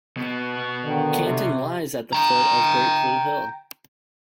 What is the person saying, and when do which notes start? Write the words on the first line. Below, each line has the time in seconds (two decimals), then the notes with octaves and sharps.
Canton lies at the foot of Great Blue Hill.
0.17 B2 B3
0.83 D3 D#3
1.24 C3
2.13 G5 A#5